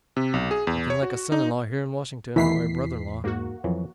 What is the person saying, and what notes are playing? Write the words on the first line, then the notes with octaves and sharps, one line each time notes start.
Nothing like a son-in-law here in Washington or a brother-in-law. . . .
C3
B1
G#4
E2
C#5
F#4
D#4
E2 D#3 E3 A3 D#4 E4 B6 C7
G#2 A#3 F#4
F2 E3 F#3